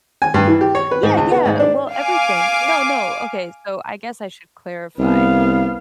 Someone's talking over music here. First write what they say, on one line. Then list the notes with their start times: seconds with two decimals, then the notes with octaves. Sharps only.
Yeah, yeah. Well, everything. No, no. Okay, so, I guess I should clarify.
0.22 G#5
0.34 G2
0.48 E3
0.61 G4
0.75 C#5
0.91 B4
1.03 G#2
1.17 C#2
1.32 B3
1.45 G#2
1.60 D4
1.92 F5 G#5 D6
4.99 C2 B3 F5